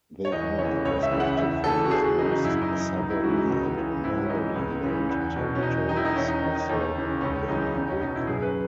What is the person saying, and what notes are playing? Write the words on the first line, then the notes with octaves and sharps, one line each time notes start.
They are respectively the most southerly and northerly land territories of the Bailiwick.
C#5
E2 D#5
C#3 E3 C#5
C#2 C#5
E5
C#3 E3
F#5
E2 E5
C#3 E3 A4
F#4
E2 G#4
F#4
C#3 E3 D#4
D#4
F#2 E4
E4
D#4
E3
D#4
C#2 D#4
E4
C#3 E3 F#4
D#4
C#2
C#3 E3
G#2 E4
C#4
E3 D#4
C#2
C#3 E3
E2
B2
C#4
E2 D#4
D#3 D#4
E4
D#4
E2 C#4
D#4
D#3 C#4
D#4
D#2
C#3 E3
C#2 C#4
C#3 E3 D#4
E2 D#4
C#4
B2 D#4
E4
F#2 G#4
B4